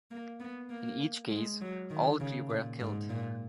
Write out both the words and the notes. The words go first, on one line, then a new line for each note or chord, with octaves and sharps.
In each case, all crew were killed.
A#3
B3
A#3
G#3
F#3
D#3
C#3
A#2
G#2
A#2